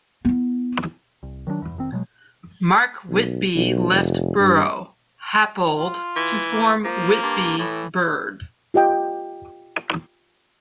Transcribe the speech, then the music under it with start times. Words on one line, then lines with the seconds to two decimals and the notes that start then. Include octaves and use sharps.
Mark Whitby left Buro Happold to form Whitby Bird.
0.25 B3 E4
1.23 C2
1.47 D#3 F#3 G#3 D4
1.62 E2
1.76 F1 D#3 C4
1.92 B2 F#3 G#3
3.09 B1
3.56 B1
3.91 F1
4.39 G2
5.78 F4
6.16 E3
6.51 A#3
6.84 F3 A#3
7.22 G2
7.58 A2 E3
8.74 F4 G4 D#5 G5